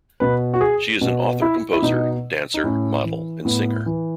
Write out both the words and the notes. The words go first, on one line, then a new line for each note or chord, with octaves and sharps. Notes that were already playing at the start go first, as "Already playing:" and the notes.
She is an author-composer, dancer, model and singer.
B2 B4
F#4
G#4
B2
E4
E4
B2 D#4
D#4
A2 C#4
E3
A2 B3
E3